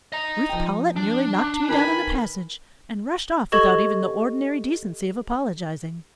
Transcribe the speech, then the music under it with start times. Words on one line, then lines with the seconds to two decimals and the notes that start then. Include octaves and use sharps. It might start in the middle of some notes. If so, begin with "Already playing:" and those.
"Ruth Powlett nearly knocked me down in the passage, and rushed off without even the ordinary decency of apologising."
0.13 D#5 A#5
0.49 F3 G5
0.96 D4
1.38 A5 D6 F#6
1.68 D#3 A#4 B4 G#5 B5
3.52 G4 A4 D#5 C#6 G#6